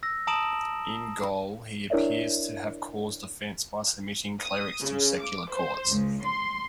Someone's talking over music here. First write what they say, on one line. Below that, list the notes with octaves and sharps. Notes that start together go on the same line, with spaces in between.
In Gaul, he appears to have caused offense by submitting clerics to secular courts.
E6 A#6
A5 A#5 D#6 D7 E7 F#7
D4 E4 A#4 C#5 D5 E5
D#6
C#3
D6
C5
C#2
C6